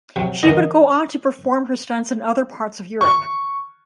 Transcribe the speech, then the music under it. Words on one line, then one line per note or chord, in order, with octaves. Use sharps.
She would go on to perform her stunts in other parts of Europe.
C3 F#3
D3 E3 A#4 D#5
C#6